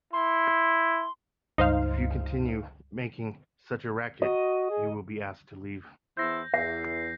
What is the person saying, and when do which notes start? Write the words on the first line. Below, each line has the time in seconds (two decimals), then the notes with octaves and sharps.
If you continue making such a racket, you will be asked to leave.
0.13 E4 C6
1.58 C#2 G2 D#4 C5 F5
4.22 F#4 D#5
4.70 G#4
6.17 E2 E4 C5 G6 A#6
6.54 E2 E5 C7